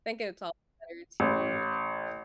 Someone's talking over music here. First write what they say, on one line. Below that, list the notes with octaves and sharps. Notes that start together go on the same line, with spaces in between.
I think it's all better to
A1